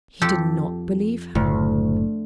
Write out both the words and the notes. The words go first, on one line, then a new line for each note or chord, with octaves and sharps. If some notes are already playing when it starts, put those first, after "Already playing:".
He did not believe her.
F2 G4 A4
F#1 D2 A2